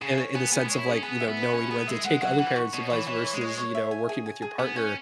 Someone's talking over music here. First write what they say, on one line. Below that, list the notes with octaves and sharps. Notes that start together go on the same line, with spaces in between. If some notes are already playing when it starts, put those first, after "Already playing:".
In the in the sense of like, you know, knowing when to take other parents' advice versus, you know, working with your partner,
C#3 G#4
C#5
B3 G#4
B3 G#4
G#3 C#5
E4
C#4 G#4
B3 G#4
E5
B3
B4
C#4 G#4
B3 G#4
G#3 E5
G#3 F#5
F#3 F#5
F#3
E3 F#5
C#6
B2 C#5
E3 C#5
E3 C#5
C#5
G#3
C#5
C#5
E5
G#5
G#4
G#5
G#4
B3 G#4
C#4 G#5